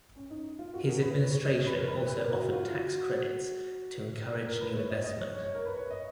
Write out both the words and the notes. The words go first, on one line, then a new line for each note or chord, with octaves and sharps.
His administration also offered tax credits to encourage new investment.
C#4
D#4
F4
F#4
A#4
G#4
B4
C#5
C#5
D#5
C#5
B4
A#4
B4
C#5
B4
A#4
F#4
F4
F#4
A#4
B4
C#5
D#5
D#5
C#5
C#5
C#5
A#4
B4
C#5
D#5